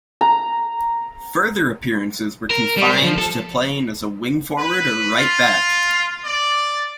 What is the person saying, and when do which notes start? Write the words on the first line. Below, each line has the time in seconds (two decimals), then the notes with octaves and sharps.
Further appearances were confined to playing as a wing-forward or right back.
0.21 A#5
2.50 A#4
2.77 G3
2.90 C5
3.02 F3
3.18 A4
4.56 B4
5.16 F4
6.24 D5